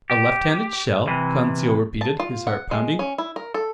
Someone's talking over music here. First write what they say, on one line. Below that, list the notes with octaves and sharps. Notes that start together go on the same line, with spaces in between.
"A left-handed shell!" Conseil repeated, his heart pounding.
G4
C3 E3
A5
F4
F#5
G#3
C#4
E4
A#4
A4